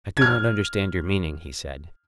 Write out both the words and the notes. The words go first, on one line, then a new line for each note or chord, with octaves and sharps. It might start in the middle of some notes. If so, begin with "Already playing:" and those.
I do not understand your meaning, he said.
F6 G#6